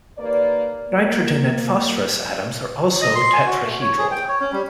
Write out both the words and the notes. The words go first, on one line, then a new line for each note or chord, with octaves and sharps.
Nitrogen and phosphorus atoms are also tetrahedral.
D#2 A#3 B4 D5
A#3
D#5
C6
G#5
F#4
A3
C#5
G#4
G5
C#5
C#4
G3